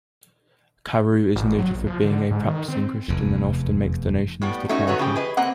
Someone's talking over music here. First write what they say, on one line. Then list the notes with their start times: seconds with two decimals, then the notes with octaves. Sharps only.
Carew is noted for being a practicing Christian and often makes donations to charity.
1.36 G#1
1.58 F#3
1.75 A#1
1.87 F3
2.04 D3
2.31 G#2
2.46 D#3
2.68 C4
3.08 F1 E2
4.42 A2 G3 B3
4.69 A3 C#4 D#4 F#4
4.87 D#3 A3 F#4 B4 C#5
4.99 C#3 F3 G4
5.15 G#4 B4 D#5
5.37 A#3 C4 D#5 F#5